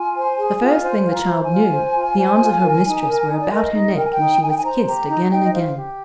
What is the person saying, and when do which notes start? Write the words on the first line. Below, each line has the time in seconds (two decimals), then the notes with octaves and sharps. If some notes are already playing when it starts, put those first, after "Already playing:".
The first thing the child knew the arms of her mistress were about her neck and she was kissed again and again.
Already playing: F4 G#5
0.15 C5
0.38 G#4
0.60 F4
0.82 C5 G#5
1.05 F4
1.12 A#5
1.27 C5
1.42 G#5
1.50 F4
1.72 C5
1.95 F4
2.17 C5
2.39 F4
2.62 A#4
2.84 D#4
3.07 A#4
3.28 D#4
3.39 D5
3.51 A#4 D#5
3.73 D#4
3.96 A#4 G5
4.04 G#5
4.11 G5
4.18 D#4
4.41 D#4 G#5
4.48 G5
4.56 G#5
4.63 C5 A#5
4.86 G4 A#5
5.08 D#4 A#5
5.30 D#4 G5
5.44 D#5
5.52 C5 F5
5.76 G4